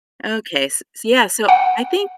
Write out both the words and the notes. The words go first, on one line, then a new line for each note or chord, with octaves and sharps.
Okay, s so, yeah, so I think
F#5